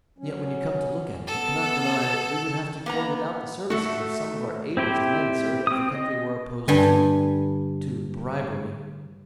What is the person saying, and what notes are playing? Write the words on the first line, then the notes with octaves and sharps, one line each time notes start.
And yet when you come to look at it you cannot deny that we would have to go without the services of some of our ablest men, sir, if the country were opposed to--to--bribery.
F#3 C#4
B3 A4
A#3 B3 A#5
A3 F#4 A4 E5
C4 E4 G4 C5
C4 D#6
D#5
G2 D3 G3 G#5